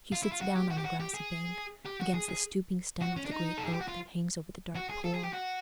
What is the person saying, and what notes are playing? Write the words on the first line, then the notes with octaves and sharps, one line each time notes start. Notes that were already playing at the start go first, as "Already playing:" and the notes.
She sits down on the grassy bank, against the stooping stem of the great oak that hangs over the dark pool.
F4
E4
F4
F#4
G4
F#4
G4
F#4
G4
G#4
G4
F#4
G#4
G#4
F#4
C#4
D4
D#4
A4
G#4
G4
F#4
F4
F#4
G#4
A4
G#4
G4
F#4